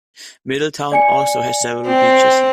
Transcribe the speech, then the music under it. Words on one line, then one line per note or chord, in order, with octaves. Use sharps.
Middletown also has several beaches.
D5 G#5 C#7
C4